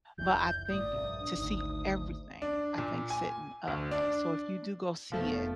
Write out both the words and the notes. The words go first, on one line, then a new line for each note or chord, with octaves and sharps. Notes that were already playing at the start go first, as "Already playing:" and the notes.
but I think to see everything I think sitting up So if you do go see it
F1 C#2 E3 G6
G1 A2 D5 D#6
A#1 G2 C3
D4
G#1 D2 D#4
D4
A#2
G#5
D2
D4
F1 F3 A3 B3